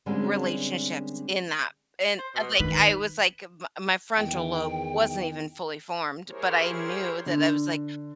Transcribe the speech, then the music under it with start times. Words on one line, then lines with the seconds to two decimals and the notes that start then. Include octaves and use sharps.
Relationships, in that, and, eh, like, I was, like m my frontal lobe wasn't even fully formed, but I knew that I was like,
0.06 D3 G3 G#3 A#3 C4 C#4
2.19 C5
2.35 B2
2.60 D#3 B4
4.17 E2 D#3 G5
6.28 E4 G4 G#4 A#4 C5 C#5
7.26 D3